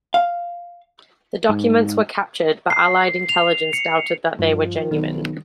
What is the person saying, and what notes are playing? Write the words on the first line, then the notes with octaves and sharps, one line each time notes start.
The documents were captured but Allied intelligence doubted that they were genuine.
F5
G#2
C7
F7
C#7
G2 F3
B1 D#3